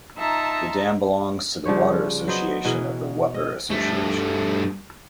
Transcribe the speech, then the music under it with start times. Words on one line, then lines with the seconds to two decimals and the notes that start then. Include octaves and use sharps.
The dam belongs to the water association of the Wupper Association.
0.18 D#4 F4 E5 A5 A#5
1.65 C#3 F3 G3 C#5
2.28 F#3 B3 C5 D#5
2.65 B2 E3 G#4 A#4
3.34 D#5
3.70 G2 A3